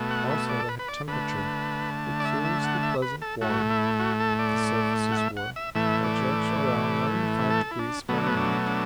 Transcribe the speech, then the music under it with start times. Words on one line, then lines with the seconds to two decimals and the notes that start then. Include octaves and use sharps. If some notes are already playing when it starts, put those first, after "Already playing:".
Also they had temperature, a curiously pleasant warmth--the surfaces were, I judged, around ninety-five degrees Fahrenheit.
Already playing: B2 A3
0.11 F#5
0.31 E5
0.49 D5
0.60 A4
0.69 B4
0.79 B4
0.88 D5
1.08 D3 A3 B4
2.20 D5
2.25 E5
2.45 E5
2.63 F#5
2.83 E5
3.02 B4
3.22 A4
3.41 A2 A3 F#4
3.70 E4
4.00 F#4
4.20 A4
4.39 D5
5.12 F#5
5.17 E5
5.37 F#5
5.56 E5
5.75 A2 E3 A3 E5
6.04 D5
7.51 A4
7.71 E4
7.79 D4
8.09 B2 F#3 A3 B3
8.18 D4
8.27 B3
8.37 D4
8.67 D4